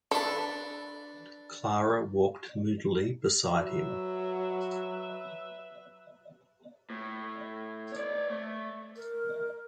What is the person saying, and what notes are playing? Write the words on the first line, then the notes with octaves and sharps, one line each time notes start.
Clara walked moodily beside him.
D4 A4 B4
F#3 B4 E5
A2
C#5 D5
A3
A#4